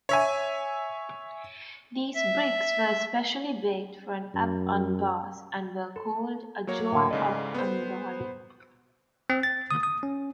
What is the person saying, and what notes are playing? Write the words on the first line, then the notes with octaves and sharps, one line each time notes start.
These bricks were especially baked for ab anbars and were called "Ajor Ab anbari".
C#5 E5 G#5
E5
F#2
A4
F#3 A#3 C#5
A2 D3
G#2 C#3 E4 A4 D5 D#5
B3 C5
C4
A6
D#6
D#6
C#4